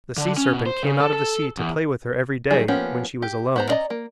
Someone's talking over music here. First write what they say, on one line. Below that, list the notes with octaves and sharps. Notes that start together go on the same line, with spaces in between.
The sea serpent came out of the sea to play with her every day when she was alone.
D3
C#4
B2
C5
C#3
A4
A4
E2
D#3 F#3 G3 G#4
F3 A#3 B3 C#4 G4
G4
B3 C5 A#5
C#4 G#4 D5 D#5 A#5
A#3